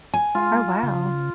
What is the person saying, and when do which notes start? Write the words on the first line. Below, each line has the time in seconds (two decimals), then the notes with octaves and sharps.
Oh wow.
0.14 G#5
0.35 G#3 F4
0.83 C#3